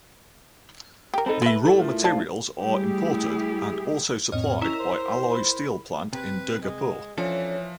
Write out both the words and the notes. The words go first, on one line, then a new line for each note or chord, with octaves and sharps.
The raw materials are imported and also supplied by Alloy Steel Plant in Durgapur.
G4 A#4 G5
C4 D#4 A4 A5 B5
G#3 B4 E5
A2 A3 E4 A4 A5
F4 A#4
C5 D5 F5 A5
G3 A3 E4 G4 G#4
F2 A2 C4 C#5 D#5 F6
C#4 E4 A#4 A#5 E6
C5
B5
C3 B4
G#3
E3 F3 C#4 D4 A4 C#5